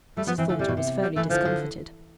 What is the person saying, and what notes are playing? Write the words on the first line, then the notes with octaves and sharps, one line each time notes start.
Mrs. Thornton was fairly discomfited.
G3 A3
F3 B3
E3 C4
D3 A3
C3 G3
B2
C3
G3
E3 A3
D3 F3
D3